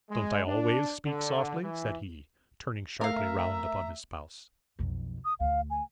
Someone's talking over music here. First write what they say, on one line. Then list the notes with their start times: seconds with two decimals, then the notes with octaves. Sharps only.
'Don't I always speak softly?' said he, turning sharply round upon his spouse.
0.10 G#3
0.47 D4
1.05 D3
1.62 E3
3.01 A3 A#4 E5 F5 A#5
4.79 B1 F2
5.25 D#6
5.40 D2 F5
5.70 G#5